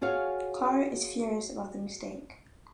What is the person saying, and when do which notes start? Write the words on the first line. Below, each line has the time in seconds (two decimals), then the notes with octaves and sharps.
Carr is furious about the mistake.
0.01 F4 F#4 G#4 C#5 F5 G#5